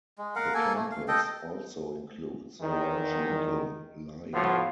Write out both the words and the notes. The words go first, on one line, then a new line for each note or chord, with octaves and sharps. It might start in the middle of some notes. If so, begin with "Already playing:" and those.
The campus also includes a large metal lion.
G#3
A#4 F5 F#5
A#3 A4 G#5
A3
F5
A4 D#5 G5
E2 D#3
A2 F3 B3 F4 F#4